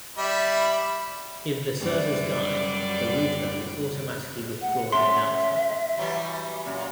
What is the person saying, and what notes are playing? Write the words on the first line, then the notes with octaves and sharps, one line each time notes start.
If the servers die, the router will automatically withdraw the announcement.
G3 E5 B5
F#2 G3 D5
F#5
F#2 A4 E5 C6
E3 F#3 G3
F#2 A#2